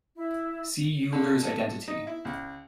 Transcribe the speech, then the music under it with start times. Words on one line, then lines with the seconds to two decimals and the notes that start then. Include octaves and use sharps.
See Euler's identity.
0.16 E4
1.12 D3
1.43 A4
1.88 D#4
2.07 E4
2.25 C#2